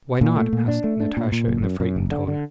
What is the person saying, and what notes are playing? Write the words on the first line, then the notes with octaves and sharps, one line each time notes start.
"Why not?" asked Natasha in a frightened tone.
A#2
A3
A#2
D4
A3
D4
A#2
A#2
F#1
F#2
F#2
F#1
D3
D3